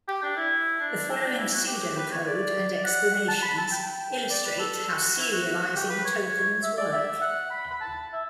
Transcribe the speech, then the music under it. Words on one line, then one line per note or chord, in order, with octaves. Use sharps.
The following pseudocode and explanations illustrate how serializing tokens work.
G4
D4
E4
D4
D4
E4
F#4
G4
B4
C#5
D5
F#5
F#5
A5
B5
A5
G5
D5
B4
A4
F#4
E4
F#4
G4
B4
C#5
E5
D5
E5
F#5
B5
B5
A5
E5